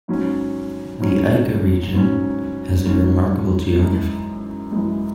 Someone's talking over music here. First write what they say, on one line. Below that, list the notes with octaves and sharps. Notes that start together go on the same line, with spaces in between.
The Ica Region has a remarkable geography.
G#2 F#3 C#4
G#2 F#3 C#4
G#2 F#3 C#4
G#2 F#3 C#4
F#2 E3 G#3
F#2 E3 G#3